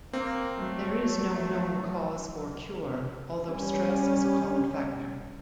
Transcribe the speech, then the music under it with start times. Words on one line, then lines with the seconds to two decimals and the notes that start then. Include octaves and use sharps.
There is no known cause or cure although stress is a common factor.
0.13 A#3 C4
0.58 F#3 A3
3.45 G3 C#4